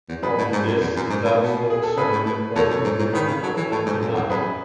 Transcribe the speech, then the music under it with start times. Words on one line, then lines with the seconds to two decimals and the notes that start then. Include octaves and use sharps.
After this the townsfolk serve a potent brew of "Queimada".
0.09 E2
0.22 F#2 G#4 B4
0.38 A2
0.52 G#2
0.67 F#2
0.81 E2
0.96 F#2
1.10 G#2
1.24 A2
1.40 B2
1.70 G#4
1.83 A4
1.97 C#3 G#4 B4
2.12 A2
2.26 A2
2.56 E2 A4 C#5
2.70 F#2
2.84 G#2
2.99 G#2
3.13 D#3 G#4 B4
3.28 C#3
3.43 F#3 A4 C#5
3.57 E3
3.72 A2 A4 C#5
3.86 G#2
4.01 F#2
4.15 E2
4.30 F#2 G#4 B4